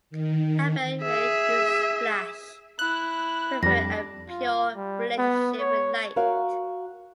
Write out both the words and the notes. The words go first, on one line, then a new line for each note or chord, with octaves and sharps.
Abell rarely uses flash, preferring a pure relationship with light.
D#3
G#4 E5
E4 F#6
F2 G3 D4 A#6
F4
G3
B3
C#5
F#4 A#4 C#5 F5